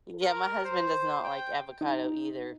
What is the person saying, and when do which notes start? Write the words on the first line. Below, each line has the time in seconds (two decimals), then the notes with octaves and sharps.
Yeah, my husband does not like avocado either.
0.22 A#4
0.64 C5
1.24 G5
1.81 D#4